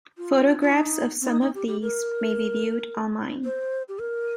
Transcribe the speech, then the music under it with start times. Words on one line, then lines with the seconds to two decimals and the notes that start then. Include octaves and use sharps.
Photographs of some of these may be viewed online.
0.18 F4
0.61 F4
0.72 D#4
1.22 C4
1.28 D#4
1.41 D#4
1.55 G4
1.68 G4
1.82 A#4
3.45 C5
3.89 G4
3.99 A#4